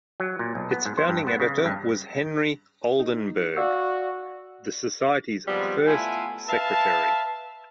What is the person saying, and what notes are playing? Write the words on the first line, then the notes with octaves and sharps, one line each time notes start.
Its founding editor was Henry Oldenburg, the society's first secretary.
F#3
A#2
B1
B3
G#2
C5
G2
B3
C#3
G2
D#4
F#4 D5 F5 E6
D#3 F3 G3 G#3 B3 C4
A3 B3 E4 F4 G#5
B4 E5 F5 A5